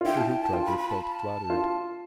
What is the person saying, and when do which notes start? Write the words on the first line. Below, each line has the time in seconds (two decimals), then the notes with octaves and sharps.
Mr. Hoopdriver felt flattered.
0.01 F4
0.05 E4 G5
0.17 A5
0.29 G5
0.42 A5
0.53 F4 G5
0.66 B5
0.78 B5
0.90 A5
1.01 B5
1.12 A5
1.50 F4